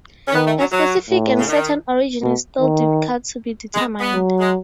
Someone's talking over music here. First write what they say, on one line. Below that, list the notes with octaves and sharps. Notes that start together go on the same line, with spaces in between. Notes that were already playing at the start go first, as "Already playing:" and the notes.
A specific and certain origin is still difficult to be determined.
C#4
D#3 B3
A3
F#3
F#3
A2
C#3
D#3
B2
D#3
G#3
B3
F#3
G#3